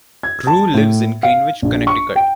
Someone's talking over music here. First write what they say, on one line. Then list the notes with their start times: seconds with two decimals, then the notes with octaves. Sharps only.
Ruh lives in Greenwich, Connecticut.
0.23 G#6
0.47 A5
0.74 A2
1.23 F5
1.62 A#1
1.87 C#6
2.16 G5